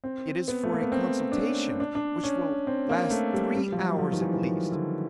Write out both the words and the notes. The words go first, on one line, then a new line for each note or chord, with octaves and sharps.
It is for a consultation, which will last three hours at least.
C4
B3
A3
A#3
B3
C4
D4
C#4
D4
D4
C#4
C4
A#3
A3
G3
G3
F3
F#3
F3
D#3
E3
E3
D#3
D3